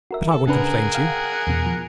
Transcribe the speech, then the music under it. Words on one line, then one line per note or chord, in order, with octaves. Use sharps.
But I won't complain to you!
F#4 A#4 E5
A4
C#3 D4 G#4 A#4 B4 F#5
F5 G5
E2 B2
F3